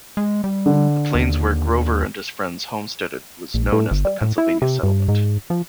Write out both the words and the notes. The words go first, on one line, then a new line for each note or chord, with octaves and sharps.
The plains where Grover and his friends homesteaded was known as the Pennsylvania Settlement.
G#3
G3
D3
D#2
A#1
A2
G1
G3
A2
E4
C3
G2
G#2
F3